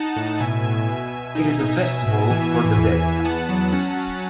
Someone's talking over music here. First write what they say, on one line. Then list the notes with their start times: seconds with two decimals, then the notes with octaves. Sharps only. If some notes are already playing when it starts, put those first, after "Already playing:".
It is a festival for the dead.
Already playing: D#4 F#5 A5
0.16 A2
0.40 B2 E5 G#5
0.64 B2 E5 G#5
0.88 B2
1.11 B2
1.35 D#4
1.59 D#4
1.83 B2 E5 G#5
2.07 B2
2.30 E3 E5 G#5
2.54 E3
2.77 E2
3.01 E2
3.25 B3 F#5 A5
3.49 F#3
3.73 C#4 F#5 A5
3.97 F#3